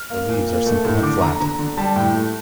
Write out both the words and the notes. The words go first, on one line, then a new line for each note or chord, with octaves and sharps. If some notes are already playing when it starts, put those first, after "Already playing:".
The leaves are simple and flat.
Already playing: F6
A#3
A#2
A#3
A3
A2
D3 D6
D3 A#5
D3 A#5
D3
G3 A5
A2 G5
A3